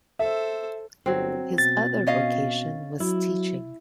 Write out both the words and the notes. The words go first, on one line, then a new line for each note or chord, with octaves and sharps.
His other vocation was teaching.
A4 C5 E5
G1 F#3 C4
B2 A6
C#4 D#5 F5
F#3 E4